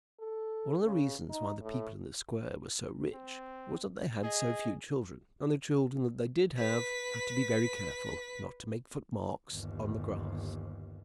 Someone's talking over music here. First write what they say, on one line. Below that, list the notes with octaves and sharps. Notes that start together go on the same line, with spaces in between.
One of the reasons why the people in the Square were so rich was that they had so few children; and the children that they did have had to be very careful not to make foot-marks on the grass.
A4
C#3
D#4
A2
C4
G#4 D#5
B4 B6
G1 D#2